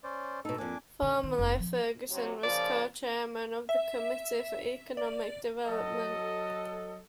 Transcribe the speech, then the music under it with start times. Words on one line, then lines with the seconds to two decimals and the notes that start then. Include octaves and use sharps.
Formerly, Ferguson was Co-Chairman of the Committee for Economic Development.
0.04 C#4 C5 D5
0.45 B2 D#4 A4
0.58 F2 A#3 D4 G#5 D6
1.02 D3
1.23 D#3
1.38 F1
1.59 F3
2.10 C3 F#3
2.43 A#2 C#3 F3 D5
3.69 E5
4.97 D5
5.67 F#3 A4 D#5